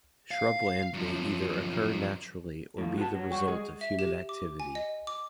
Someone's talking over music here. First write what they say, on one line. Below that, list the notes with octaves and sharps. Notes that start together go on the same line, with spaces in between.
Shrubland may either occur naturally or be the result of human activity.
F5
F#2 F3
A2 F3
F#4 B4 A5
F#3
G3 F#4
G#3 G#4
E5
G4
D6
G#5
D#5
D6